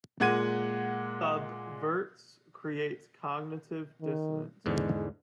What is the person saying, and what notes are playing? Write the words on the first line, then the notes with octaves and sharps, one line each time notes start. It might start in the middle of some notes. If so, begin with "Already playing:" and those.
Subverts create cognitive dissonance.
A#2 G#3 F#5 G#6 D#7
D#3
E2 G#2 D3 G#3